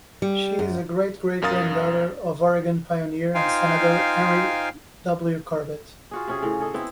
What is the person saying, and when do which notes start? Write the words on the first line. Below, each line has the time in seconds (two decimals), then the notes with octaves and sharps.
She is a great-great-granddaughter of Oregon pioneer and Senator Henry W. Corbett.
0.22 G3
0.59 F#2
1.42 B1 F#2 A#4 F5 D#6 A6
3.35 D#4 F4 C5 F5 G5 G#5
6.11 F4 F#4 G#4
6.28 C3 C#4 G#4
6.42 A2 C#3
6.60 G#4 A4 D#5
6.74 B3 C4 E4